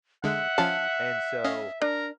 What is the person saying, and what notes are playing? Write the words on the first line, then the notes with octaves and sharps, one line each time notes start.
and so
D3 G#3 E5 F#5
F3 C#4 F5 A5
C#4 D#5 F5
D4 A#4